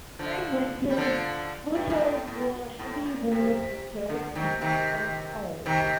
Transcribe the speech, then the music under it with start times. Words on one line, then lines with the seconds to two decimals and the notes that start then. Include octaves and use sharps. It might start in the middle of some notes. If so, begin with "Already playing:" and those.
During winters, gauchos wore heavy wool ponchos to protect against cold.
0.19 D3 F3
0.90 G3
0.97 D3 F3
1.75 G2
1.90 A#2
2.01 A2
2.27 A2
2.79 A2
3.06 A#2
3.31 C3
4.09 D3
4.35 C3 D#3
4.61 C3 D#3
5.66 C3 D#3